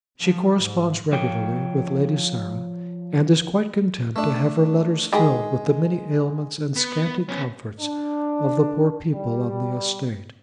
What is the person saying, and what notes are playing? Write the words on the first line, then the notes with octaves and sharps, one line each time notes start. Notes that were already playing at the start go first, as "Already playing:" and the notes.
She corresponds regularly with Lady Sarah, and is quite content to have her letters filled with the many ailments and scanty comforts of the poor people on the estate.
F3
G#2
F3 C#5 G5
A3 D4
D#3 G#3 G4 G#4
B3
B3 C#4
D4
G3